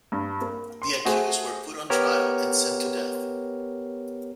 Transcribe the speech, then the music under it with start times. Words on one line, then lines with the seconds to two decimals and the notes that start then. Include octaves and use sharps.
The accused were put on trial and sent to death.
0.12 G2
0.41 A#3
0.82 C6
1.05 A3 F#4 G#4 C5
1.90 B3 G4 A#4 C#5